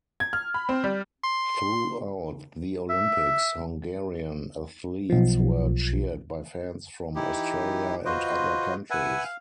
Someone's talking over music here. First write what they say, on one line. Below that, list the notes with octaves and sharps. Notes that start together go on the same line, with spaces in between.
Throughout the Olympics, Hungarian athletes were cheered by fans from Australia and other countries.
G#6
F6
B5
C4
G3
C6
E5
B1 F3
E3 D#4 E4 G4
F4 F#4 B4 C5 D#5
B4 E5 F#5 G#5
F5